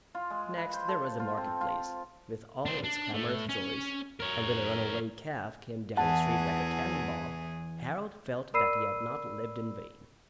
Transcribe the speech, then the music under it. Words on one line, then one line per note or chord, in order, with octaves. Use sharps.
Next there was the market-place, with all its clamorous joys; and when a runaway calf came down the street like a cannon-ball, Harold felt that he had not lived in vain.
F4
G#3
B4
C5
A4
F4
C4
F4
D4 C5
D4
A2
C#4
A#4 C#5
E2 E3 G#4 F#5 A5
A#4 D5 B5 E6 C7 D#7